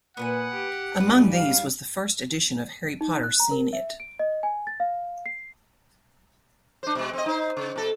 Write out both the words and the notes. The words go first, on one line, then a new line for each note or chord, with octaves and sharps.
Among these was the first edition of Harry Potter Scene It?
A#2 B3 B4 F#5 G#5
G4
G#2 G3 B4
F5
D#4
F#6
A#5
A#4
E5
D7
D#5
G#5
A6
F5
C7
D4 C5
B2 G#3
C4 D#5
D#4 C5
C#3
B2 A4